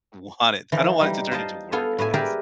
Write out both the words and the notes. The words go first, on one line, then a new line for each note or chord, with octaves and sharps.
want it I don't want it to turn into work, I guess.
E3 F3
G3 D#4
F4 C5 D#5 A5
B3 F4 A4 G#5
A2 B4 E5 G#5
G4 G#4 A#4 B4 D5 E5